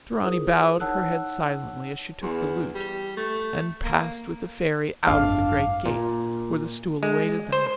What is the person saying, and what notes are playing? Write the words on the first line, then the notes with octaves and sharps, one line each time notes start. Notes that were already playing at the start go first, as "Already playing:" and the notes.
Dorani bowed her head silently as she took the lute, and passed with the fairy out of the great gate, where the stool awaited them.
E4 F4 G#4 A#4 C5 D#6
D#4 C#5 F#5 A5 E6 F#6
E2
G3
A3
A#3
G#1 F#2 D4 F5
A#2
G#3
C5